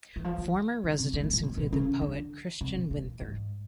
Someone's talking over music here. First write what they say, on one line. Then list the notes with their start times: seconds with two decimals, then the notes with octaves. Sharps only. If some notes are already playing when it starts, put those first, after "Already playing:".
Former residents include the poet Christian Winther.
0.16 E3
0.24 F3
0.38 D#3
0.84 C#3
0.99 C3
1.13 A#2
1.23 A2
1.33 A#2
1.43 B2
1.57 B2
1.73 C#3
2.01 D3
2.61 C3
2.76 B2
2.91 A#2
3.21 G#2